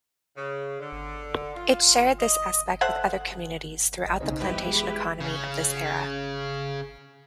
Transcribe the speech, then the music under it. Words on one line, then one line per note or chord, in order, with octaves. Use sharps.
It shared this aspect with other communities throughout the plantation economy of this era.
C#3
D3
F4
D#5
A4 C5 E5 F#5
A1 D#5
B1 C#3 C4 D#4 C5 D#5
G1 E2 E4 G4 B4 C5 D#5 G5
G#3 G#4
C#3 C#4